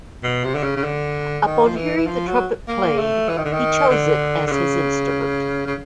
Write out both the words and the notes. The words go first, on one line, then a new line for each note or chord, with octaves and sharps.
Upon hearing the trumpet played, he chose it as his instrument.
B2
C3
D3
C#3
C#3
D3
D#3
F3
E3
E3
F3
F#3
A#3
A3
E3
D#3
D3
D#3
D3
D3
C#3
C#3